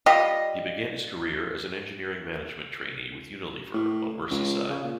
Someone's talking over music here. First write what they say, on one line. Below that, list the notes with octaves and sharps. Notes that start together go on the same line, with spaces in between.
He began his career as an Engineering Management Trainee with Unilever on Merseyside.
G3 F4 G4 D#5
A2
C#2
C#3
A#2